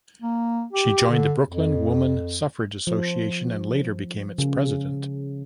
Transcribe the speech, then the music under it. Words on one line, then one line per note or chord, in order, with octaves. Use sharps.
She joined the Brooklyn Woman Suffrage Association and later became its president.
A#3
G4
D3
F2
F3
C#3